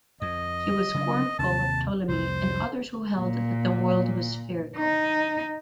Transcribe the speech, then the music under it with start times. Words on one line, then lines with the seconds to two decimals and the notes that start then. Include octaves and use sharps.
He was scornful of Ptolemy and others who held that the world was spherical.
0.22 F2 D#5
0.94 C#3 F#3 D4
1.39 D#2 C3 A5
2.09 C2 F2 C5
3.18 A#2
4.76 D#4